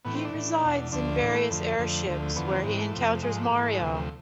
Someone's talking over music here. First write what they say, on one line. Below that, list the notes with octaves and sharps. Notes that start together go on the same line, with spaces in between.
He resides in various airships where he encounters Mario.
A2 E3 B3
C4
D4
A2 E3
E2 B2
D2 D3 F3 D4
A2 E3 D4
A3
F2 D3 F3
F2 D3 F3
D2 D3 F3 A3
A3
E2 D3 F3 B3
C4
G#2 E3 C4
A3
F2 C3 F3
G#2 F3 G#3
A3
G#2 E3
G#3
D2 C3 F3 A3
A3